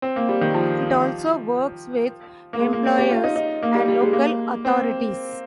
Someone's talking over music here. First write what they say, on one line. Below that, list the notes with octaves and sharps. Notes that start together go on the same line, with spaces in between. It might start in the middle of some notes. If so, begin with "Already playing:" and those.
It also works with employers and local authorities.
C4
A#3
G3
D#3
F3
A#3
G#3
A#3
C#4
G4
F4
D#4
D#4
A#3
G3
G3
G#3
A#3
C4